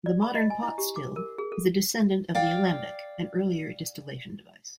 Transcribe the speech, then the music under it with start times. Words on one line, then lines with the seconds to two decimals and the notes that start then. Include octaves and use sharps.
The modern pot still is a descendant of the alembic, an earlier distillation device.
0.06 D5
0.22 B5
0.35 D#5
0.50 G#5
0.63 E4
0.78 G4
0.96 D6
1.16 A#4
1.38 G#4
1.52 A4
2.35 D5 F5 G5